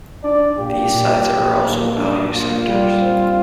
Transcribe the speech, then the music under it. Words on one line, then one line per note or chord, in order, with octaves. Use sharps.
These sites are also Value Centres.
D4 D5
A#2 G4
A#2
A#2
A#3
D4
A#3 F4
G3
C4